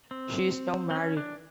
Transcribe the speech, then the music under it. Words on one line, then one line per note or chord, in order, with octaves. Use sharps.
She is now married.
C4
C4
C#4
D4